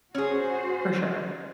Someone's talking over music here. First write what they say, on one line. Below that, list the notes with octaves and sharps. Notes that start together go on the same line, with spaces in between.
for sure.
C#4 F#4 G#4 C5